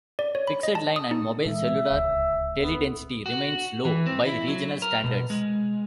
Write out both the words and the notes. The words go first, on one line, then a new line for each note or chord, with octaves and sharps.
Fixed-line and mobile-cellular teledensity remains low by regional standards.
D5
C#5
B5
D#5
A5
D#6
D#4
A#2 E3 G#3 E5
D1 C#2
B3
F#4
E3
C4
E4
F#3
A#4
B2
G#3